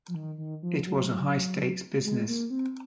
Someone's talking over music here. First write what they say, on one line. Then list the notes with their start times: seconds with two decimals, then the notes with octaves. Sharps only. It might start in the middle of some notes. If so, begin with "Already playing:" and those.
It was a high-stakes business.
0.08 F3
0.15 D#3
0.38 D#3
0.63 F3
0.86 F#3
2.03 G#3
2.28 A#3
2.50 C4